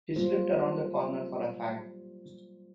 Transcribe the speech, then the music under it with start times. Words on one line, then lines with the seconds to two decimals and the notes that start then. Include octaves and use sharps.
He slipped around the corner for a fag.
0.16 F#3 G3 A#3 F4 C5